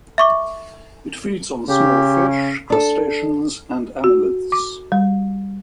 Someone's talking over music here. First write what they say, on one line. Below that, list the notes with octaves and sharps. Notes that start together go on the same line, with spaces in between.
It feeds on small fish, crustaceans, and annelids.
E5 C#6 D6
C#3 G4
D4 A4
F#4
D6
G3